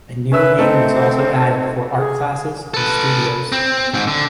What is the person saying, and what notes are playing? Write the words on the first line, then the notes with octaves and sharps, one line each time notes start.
A new wing was also added for art classes and studios.
C#4 B4 E5 E6
A3 C4 D#4 A4
G#4
A4 B4
C4
G#2 C4
D3